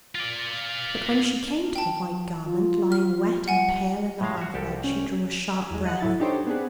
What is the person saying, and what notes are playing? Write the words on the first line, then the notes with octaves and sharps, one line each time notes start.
But when she came to the white garment lying wet and pale in the half-light she drew a sharp breath.
F4 D5
G5 A5
F4
F6
G3 F#5 G#5
A2 G#3 F5
F#4 E5
C2 G4 A4
C#4
G#5
E2 G#3
D#5 F#5
A2 F#3 E4 A6
D4 D#4 G4 A4 C5 C#5
B3 C4 D4 G#4 B4